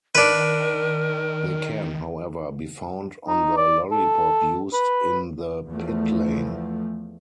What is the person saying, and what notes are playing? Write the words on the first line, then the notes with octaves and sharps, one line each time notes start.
They can, however, be found on the lollipop used in the pitlane.
D#3 D4 A#4 B4
D#4
D5
A4
B4
E2 F3 A3